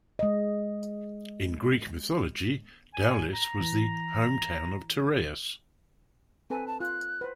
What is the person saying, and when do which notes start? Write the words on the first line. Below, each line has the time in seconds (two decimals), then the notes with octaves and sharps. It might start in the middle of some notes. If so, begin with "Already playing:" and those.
In Greek mythology, Daulis was the hometown of Tereus.
0.19 G#3 D#5
2.94 G#5
3.33 A#5
3.61 E3
6.50 C4 A4 B4 G#5
6.67 A5
6.80 F4 F#6
7.21 B4 C5